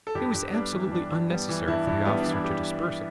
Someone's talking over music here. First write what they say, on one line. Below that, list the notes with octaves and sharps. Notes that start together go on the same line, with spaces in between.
It was absolutely unnecessary for the officer to disperse it.
A4
G2 G4
G2
B3
G3 D4
E3
G2 D4
G2
G3 B3
E3
G2 E4
G2
G3 B3
D4
E3
E4
G4